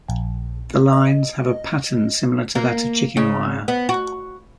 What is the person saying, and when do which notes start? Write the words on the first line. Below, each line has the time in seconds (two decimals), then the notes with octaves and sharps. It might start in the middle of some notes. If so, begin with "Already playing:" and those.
The lines have a pattern similar to that of chicken wire.
0.08 A#1
0.93 D#5
2.55 A#3
3.17 C#3
3.68 B3
3.89 F#4